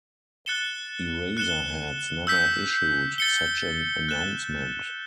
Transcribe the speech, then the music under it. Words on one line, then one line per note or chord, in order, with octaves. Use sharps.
Eraserheads never issued such an announcement.
F#6 A6 C#7 E7 G7
F#6 C#7 E7 G7
E6 G6 B6
A6 C#7 G7
F#6 A6 E7 G7